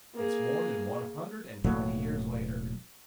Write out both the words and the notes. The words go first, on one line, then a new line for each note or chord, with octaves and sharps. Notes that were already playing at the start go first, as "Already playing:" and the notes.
It's more than one hundred and twenty years later.
A#3 G#4
E1 A2 F#3 A#3